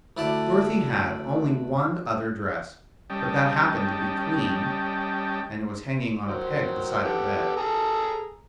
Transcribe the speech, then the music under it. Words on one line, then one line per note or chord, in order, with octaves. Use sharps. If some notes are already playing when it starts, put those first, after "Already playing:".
Dorothy had only one other dress, but that happened to be clean and was hanging on a peg beside her bed.
D2 E4 A4 D5 A5
G3 C#4 D#5 G5 A5
D#3 F#3 C5
B3 G4 A4
G#4 A4 A#5